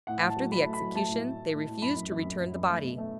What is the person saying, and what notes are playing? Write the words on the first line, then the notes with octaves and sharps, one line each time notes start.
After the execution they refused to return the body.
A2 F#5
A2
A5
F#3
A2 B5
A3
B5
F#3
A3 A5
A2
A2
A2
A2
A2
F#2 B5
F#2
F#2
F#2
F#2
F#2
A3
B2
A3